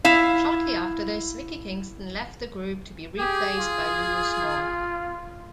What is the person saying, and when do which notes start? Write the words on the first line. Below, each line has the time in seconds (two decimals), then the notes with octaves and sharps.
Shortly after this Vicky Kingston left the group, to be replaced by Lulu Small.
0.05 E4 F5
3.19 G4 G#4
3.57 F4